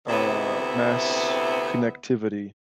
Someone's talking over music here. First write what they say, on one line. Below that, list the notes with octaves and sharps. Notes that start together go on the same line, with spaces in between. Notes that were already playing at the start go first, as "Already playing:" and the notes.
uh, mass connectivity.
D2 C3 B3 C4 E4 E5